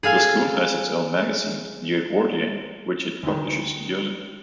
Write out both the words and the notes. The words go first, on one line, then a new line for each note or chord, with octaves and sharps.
The school has its own magazine, "The Edwardian", which it publishes yearly.
G#4 A4 F5 G#5
D2 D#3